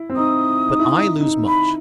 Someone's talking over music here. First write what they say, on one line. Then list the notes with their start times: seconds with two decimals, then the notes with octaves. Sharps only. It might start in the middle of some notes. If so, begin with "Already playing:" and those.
But I lose much.
Already playing: E4
0.10 C4
0.16 D#4 D#6
0.68 D#4
0.79 E4
0.91 D#4
1.21 D#4
1.47 B5